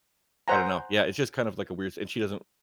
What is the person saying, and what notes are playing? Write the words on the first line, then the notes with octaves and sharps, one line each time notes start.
I don't know, yeah, it's just kind of like a weird s and she doesn't
C5 F#5 G#5 A#5